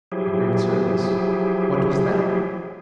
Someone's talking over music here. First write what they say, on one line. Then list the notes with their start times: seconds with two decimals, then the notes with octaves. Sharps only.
"A great service--what was that?"
0.12 F3 F#3 E4 G4 G#4